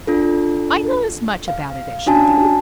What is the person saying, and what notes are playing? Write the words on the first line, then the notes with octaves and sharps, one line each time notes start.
"I know as much about it as you do!"
D4 F4 A4
F5
C#4 D4 F#4 G#5 A5